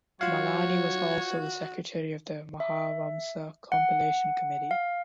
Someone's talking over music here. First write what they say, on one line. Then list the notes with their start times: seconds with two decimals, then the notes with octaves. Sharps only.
Malani was also the Secretary of the Mahavamsa Compilation Committee.
0.21 F#3 F4 F#4 C#5 F5
2.60 E5
3.72 F#5
4.71 F5